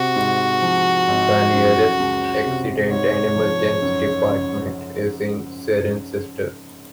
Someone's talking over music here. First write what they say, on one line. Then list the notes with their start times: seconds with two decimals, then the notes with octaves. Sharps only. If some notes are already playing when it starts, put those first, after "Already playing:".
The nearest Accident and Emergency Department is in Cirencester.
Already playing: C3 F#4
0.16 G#2
0.62 F3
1.08 G#1
1.53 F#2
2.00 C#2
2.45 C3
2.91 G#2 C#5
3.36 F3
3.82 F#2
4.29 C#3